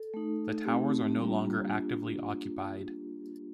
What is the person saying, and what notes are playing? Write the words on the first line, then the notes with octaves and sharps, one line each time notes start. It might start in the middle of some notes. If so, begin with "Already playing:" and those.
The towers are no longer actively occupied.
Already playing: A4
A3 D#4
A3 C4 D#4 G4
G3 A#3 D4 F4
A#3 D4 F4